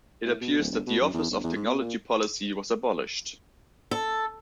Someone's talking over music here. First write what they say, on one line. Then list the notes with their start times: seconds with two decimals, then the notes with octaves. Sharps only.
It appears that the Office of Technology Policy was abolished.
0.25 A2
0.41 B2
0.59 D1
0.71 G1
0.87 B2
1.01 F#2
1.13 E2
1.31 G1
1.44 E2
1.55 G#2
1.67 B2
1.80 A#2
3.91 A4